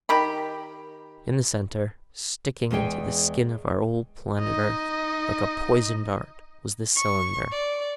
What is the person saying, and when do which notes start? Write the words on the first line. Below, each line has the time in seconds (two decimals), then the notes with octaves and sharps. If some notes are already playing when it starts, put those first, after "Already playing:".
In the centre, sticking into the skin of our old planet Earth like a poisoned dart, was this cylinder.
0.09 D#3 G4 B5
2.71 E2 G#3 G#4 G5
4.39 D#4 D#5
6.95 C#6
7.52 D5